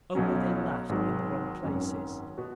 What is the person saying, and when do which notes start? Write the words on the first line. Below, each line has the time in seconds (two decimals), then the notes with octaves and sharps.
Only they laughed in the wrong places.
0.15 B1 B2 F#3 C#4
0.89 G#1 G#2 F#3
1.63 G#1 F#2 F#3 C#4
2.38 B2 B3 F#4